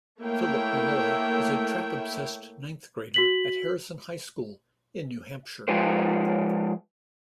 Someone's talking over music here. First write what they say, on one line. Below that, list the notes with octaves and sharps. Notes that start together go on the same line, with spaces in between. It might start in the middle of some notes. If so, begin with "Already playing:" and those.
Philip Malloy is a track-obsessed ninth grader at Harrison High School in New Hampshire.
A3 A#3 E4 C#5 E5 G5
F#4 B6 F#7
F3 G#3 F4 G4 B4 C5